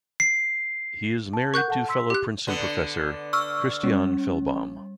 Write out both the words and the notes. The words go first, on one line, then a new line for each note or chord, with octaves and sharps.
He is married to fellow Princeton professor Christiane Fellbaum.
C7
A5
A#4 F#5 C#6 F#6 G6
A4 F#5 A5
C6 E6 B6
G4 F#6
D3 B3
C#6 E6 F6
G3 C#4